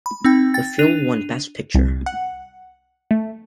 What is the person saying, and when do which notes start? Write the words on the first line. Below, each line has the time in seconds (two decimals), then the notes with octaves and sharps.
The film won Best Picture.
0.06 B5
0.24 C4 D#4 G5
0.54 G5 A6
0.79 D4 D#7 F7
1.74 C2
2.06 F#5
3.11 A3